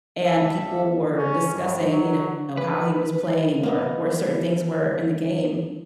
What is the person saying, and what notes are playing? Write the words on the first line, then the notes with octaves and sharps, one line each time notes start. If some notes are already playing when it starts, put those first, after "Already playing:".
and people were discussing, you know, how he was playing or where certain things were in the game,
G3 A4 E5
C#4
G2
F#3
B4
A#3 B3 D#5